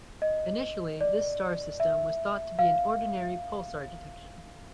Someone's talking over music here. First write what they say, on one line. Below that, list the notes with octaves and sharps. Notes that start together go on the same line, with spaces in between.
Initially this star system was thought to be an ordinary pulsar detection.
D#5
D5
E5
F5